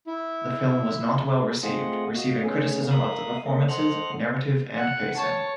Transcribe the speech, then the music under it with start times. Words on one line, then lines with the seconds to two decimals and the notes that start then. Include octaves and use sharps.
The film was not well received, receiving criticism of the performances, narrative and pacing.
0.07 E4
1.63 A3 C4 F4 G#4 D#5 F#5
2.15 F#4 D#5 F5
2.44 A3 B3 C#4 G#4
2.91 A#4 E5 F5 D#6 F#6
3.46 A#3 C#4 A4 D#5
3.68 A4 C5 D#5 F#5 F6 F#6
4.78 F#5
5.15 C#5 A5